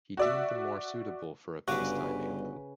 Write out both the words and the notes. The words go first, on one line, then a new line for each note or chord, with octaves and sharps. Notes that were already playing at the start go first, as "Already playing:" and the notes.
He deemed them more suitable for a peacetime anthem.
F#4 D5 E5
G1 G2 C#3 F#4 B4 F5 D6